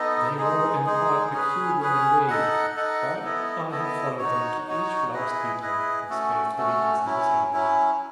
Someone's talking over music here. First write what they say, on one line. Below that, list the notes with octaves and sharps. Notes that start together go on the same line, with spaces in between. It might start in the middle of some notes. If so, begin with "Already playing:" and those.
They were in part peculiar indeed, but I have followed them to each last detail as faithfully as I was able.
Already playing: B3 D#4 A4 D#5
G#3 D#4 G#4
G#3 D#4 G#4
C#4 G#4 B4
C#4 G#4 B4
D#4 A4 D#5 F#5
D#4 A4 D#5 F#5
B3 E4 A4 D#5
B3 E4 A4 D#5
D#4 F#4 C#5
D#4 F#4 C#5
E4 G#4 B4 D#5
E4 G#4 B4 D#5
A3 C#4 F#4 A4
A3 C#4 F#4 A4
F#3 C#4 E4
F#3 C#4 E4